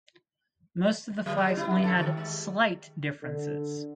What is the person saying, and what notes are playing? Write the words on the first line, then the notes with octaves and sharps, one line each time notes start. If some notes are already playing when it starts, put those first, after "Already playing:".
Most of the flags only had slight differences.
F#3
G3
E4
G2
A4
D#3
G#3
D3